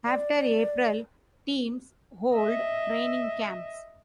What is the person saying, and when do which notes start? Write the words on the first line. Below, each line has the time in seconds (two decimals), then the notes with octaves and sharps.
After April, teams hold training camps.
0.06 D5
2.35 D#5 E5